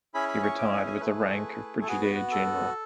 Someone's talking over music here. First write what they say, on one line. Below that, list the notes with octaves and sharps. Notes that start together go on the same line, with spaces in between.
He retired with the rank of Brigadier General.
C#4 E4 G#4 B5
B5
C#6
D6
G#5
G#5
A3 E4 G#4 B4
A4
B3 F#4 G#4
B4
A4